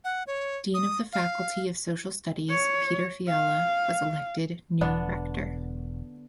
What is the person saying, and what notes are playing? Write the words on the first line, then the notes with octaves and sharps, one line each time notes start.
Dean of the Faculty of Social Studies Petr Fiala was elected new Rector.
F#5
C#5
D#6
F5
C#5
F5
E1 D3 B3 D4